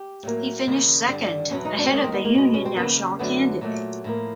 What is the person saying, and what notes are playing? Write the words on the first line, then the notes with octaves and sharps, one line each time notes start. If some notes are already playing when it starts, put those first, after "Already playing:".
He finished second, ahead of the Union Nationale candidate.
Already playing: G4
A2 F#3 A#3
D#2 C#3 F3 A#3
G2 D3 G3
E2 B2 F#3 C#4
D#4
D4
C4
D#2 D#3 G#3 C#4
C4
B3
A#3
B2 G#3
C#4
C4
D#2 C#3 F3 A#3 B3
F#2 D3 F#3 A3 B3
A#2 F#3 A3
A2 F3 A#3